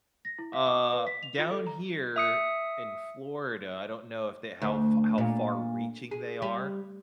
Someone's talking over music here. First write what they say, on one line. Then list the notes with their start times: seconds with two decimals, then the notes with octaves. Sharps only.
Uh, down here in Florida, I don't know if they how f how far reaching they are,
0.25 A#6
0.38 E4
0.53 F5
0.67 D6
0.93 B4
1.07 B6
1.23 F7
1.38 F4
1.51 A4
1.67 A#5
2.16 E5 D#6 C#7
4.62 D2
5.18 A#2
6.11 G#4
6.42 G3